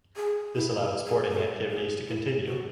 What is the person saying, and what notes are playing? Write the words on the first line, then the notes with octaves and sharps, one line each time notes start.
This allowed sporting activities to continue.
G#4
E4
G#4
A4
G#4
E4
F#4